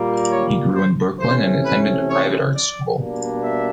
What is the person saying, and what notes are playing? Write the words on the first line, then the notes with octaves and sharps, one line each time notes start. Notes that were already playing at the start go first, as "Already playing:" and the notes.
He grew in Brooklyn and attended a private arts school.
Already playing: A#2 G3 A#3
C#5
C5
C3 E3 A3 C#4 C5
B4
C#5
D5
B2 G3 A#3 D4
E5